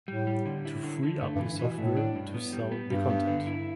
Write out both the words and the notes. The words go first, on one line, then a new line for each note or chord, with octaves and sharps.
To free up the software, to sell the content.
A2 G3
G3
D3
E4
D3
D3
G2 A3
G2
E3
B2 E3
A2 A3
D4
G2
B3
G3
B3
G2 G3
B3
D3
E4